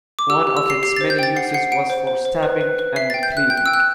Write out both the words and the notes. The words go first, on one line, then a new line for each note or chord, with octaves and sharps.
One of its many uses was for stabbing and cleaving.
D6
G4 E6
G4
E6
G4 C7
G4 C7
A6
C5
G6
G5 A6
F#5 C7
F#5 C7
F#5 D7
C5
C5
C5
B4
B4
B4
E5 C7
A6
G5
G6
E5
F#6
G5 G6
F#6
G5 E6
F#6